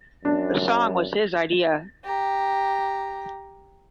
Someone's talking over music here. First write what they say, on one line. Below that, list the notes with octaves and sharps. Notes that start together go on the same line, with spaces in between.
The song was his idea.
F#2 D4
G4 A#5